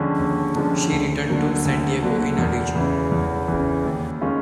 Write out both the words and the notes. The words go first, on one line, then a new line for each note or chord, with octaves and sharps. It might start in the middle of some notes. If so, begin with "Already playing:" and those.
She returned to San Diego in early June.
Already playing: D#2 D3 F3 G#3 C#4
D#2
D3 F3 G#3 C#4
D2
D3 F#3 A#3
D2
D3 F#3 A#3
E2
C#3 E3
E2
C#3 E3
D#2
D#3 G#3 C#4 F4